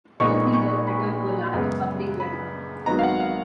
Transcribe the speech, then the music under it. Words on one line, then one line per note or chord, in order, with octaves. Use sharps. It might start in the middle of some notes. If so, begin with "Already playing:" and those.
Both leaders returned to a large public welcome.
A#1 A#2 G#3 B3 D#4 C#6
C#6
B5
F#2 C#3 G#3 B3
B5
G#1 G#2 F#3 B3 D#4 A#5
F5
F#5
F5